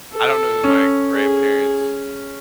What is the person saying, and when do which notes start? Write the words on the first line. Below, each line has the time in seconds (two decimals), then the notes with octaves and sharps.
I don't know who my grandparents'
0.14 A4
0.64 C#4
1.13 G#4